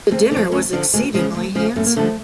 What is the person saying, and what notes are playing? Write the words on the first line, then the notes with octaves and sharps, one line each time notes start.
The dinner was exceedingly handsome.
D2 C4
D3 C4
F3
D2 C#4
D3 F3 D4
D2 G#3
C#3 F3 G#3
D2
C#3 F3
F#2 A3
A#3
D3 F3 A3